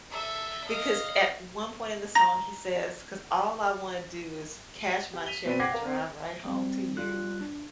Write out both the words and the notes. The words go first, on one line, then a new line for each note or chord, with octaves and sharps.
because at one point in the song, he says, "'Cause all I wanna do is cash my check and drive right home to you
A4 E5
D#5 F5
A#5 A#6
G4
B6 D#7 F7 G7
B2 C4 B4 D5 B6 D#7
F#5 G5 D6 G#6 A#6 C7
A#4 F5
C4
G3 C4
G3 F4 F#6
D4